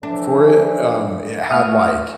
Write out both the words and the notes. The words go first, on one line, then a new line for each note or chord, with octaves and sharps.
for it, um, it had, like
D3 E3 F3 D4
E3 A3 E5 D#6 F6